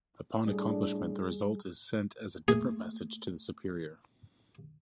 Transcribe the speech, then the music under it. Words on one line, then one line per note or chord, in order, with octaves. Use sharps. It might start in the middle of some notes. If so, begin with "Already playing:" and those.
Upon accomplishment, the result is sent as a different message to the superior.
A2 G3 D4 G#4
A3 A#3 G#4